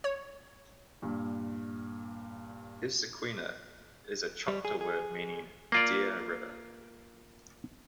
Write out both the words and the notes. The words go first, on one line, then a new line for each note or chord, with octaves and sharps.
"Issaquena" is a Choctaw word meaning "Deer River".
C#5
G2 A#2
G3
G#4
G#4
A#3 F4 D5